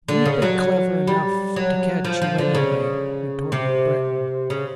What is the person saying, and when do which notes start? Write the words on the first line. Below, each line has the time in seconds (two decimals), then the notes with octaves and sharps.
"We've been clever enough to catch you, anyway," retorted Breton.
0.08 D3
0.26 C#3
0.42 F#3
1.07 G3
1.56 F#3
2.05 F3
2.22 F3
2.38 D3
2.55 C#3
3.52 C3
4.50 C#3